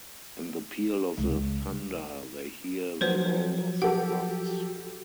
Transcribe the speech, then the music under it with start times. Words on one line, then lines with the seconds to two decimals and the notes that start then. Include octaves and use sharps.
In the peal of the thunder they hear the roll of the drums.
1.18 C#2
3.01 F3 F#3 B4 C5
3.82 G4 A4 F#5